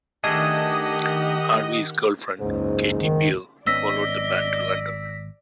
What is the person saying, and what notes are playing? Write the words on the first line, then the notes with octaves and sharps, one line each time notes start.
Harvey's girlfriend Katy Beale followed the band to London.
D#3 A3 D4 G4 G#4 D#5 F#5
F#1 C#2 G#2
D#3
G#1 B3 C#4 D5 D#5 E6 A#6 B6